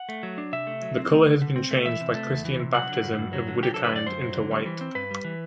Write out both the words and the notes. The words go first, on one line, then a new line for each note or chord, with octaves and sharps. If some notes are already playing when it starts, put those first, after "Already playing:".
The colour has been changed by Christian baptism of Widukind into white.
Already playing: F#5
A3
F#3
D4
C3 E5
A3
F#3
C4
A3
D3
D3
C4
A3
E3 E5
C3
A3
E2
E3
C3
F#3 F#5
D3
G2
G2
F#3
D3
F#3 G4
D3 A4
B4
F#2 D5
F#2 C5
F#3
D3
G3
E3
C4
G2 B4
G3
E3